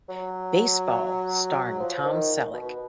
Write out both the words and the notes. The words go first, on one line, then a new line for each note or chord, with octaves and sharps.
Baseball starring Tom Selleck.
F#3
F3
D#3
B2